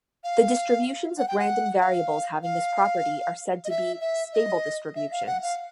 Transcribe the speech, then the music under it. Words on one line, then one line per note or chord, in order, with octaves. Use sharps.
The distributions of random variables having this property are said to be "stable distributions".
F5
F#5
G5
F#5
F5
F5
D#5
E5
E5
D#5
E5
F5
F#5
F5